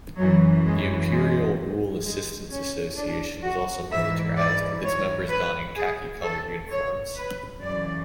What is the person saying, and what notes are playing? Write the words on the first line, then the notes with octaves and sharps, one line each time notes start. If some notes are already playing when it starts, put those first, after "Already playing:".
The Imperial Rule Assistance Association was also militarized, with its members donning khaki-colored uniforms.
F#2 E3 F#3
G#3
G#3
G#3
C#4
D4
F#4
G#2 E3 E5
D5
C#5
B4
G#4
A4
C#5
B4
F#2 C#3 E3 D5